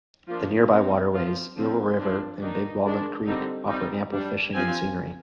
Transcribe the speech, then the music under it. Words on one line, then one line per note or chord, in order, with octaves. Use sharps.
The nearby waterways Eel River and Big Walnut Creek offer ample fishing and scenery.
F3 A#3 D4 F4
G3 C4 D#4
F3 C4 F4
D3 F3 C4
F3 C4 D4
D#3 A#3 D4 D#4
D#3 G#3 D4
D3 G3 C4 D#4
G3 C4 D#4
G3 D4
F3 C4 G#5